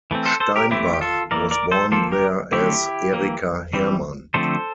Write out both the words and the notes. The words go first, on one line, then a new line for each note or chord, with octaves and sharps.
Steinbach was born there as Erika Hermann.
E3 A3 C4
A4 C5
A4 C5
G4 A#4
E3 A3 C4 E4 G4
G4
F4 A4
E3 A#3 A#4 D5
A#4 D5
A4 C5
F3 A#3 A4 C5
G4 A#4
D3 A3 C4 E4 G4
E3 A#3
E3 G3 C4
D3 F3 A3 C4 A4 C5